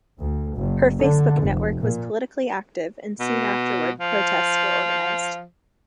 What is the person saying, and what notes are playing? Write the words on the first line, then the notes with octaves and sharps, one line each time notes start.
Her Facebook network was politically active and soon afterward protests were organized.
D2
F#1
D3
F1
A#2
B2
F3